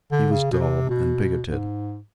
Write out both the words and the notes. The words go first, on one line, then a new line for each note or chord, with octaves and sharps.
He was dull and bigoted.
D3
C#3
B2
C3
B2
G#2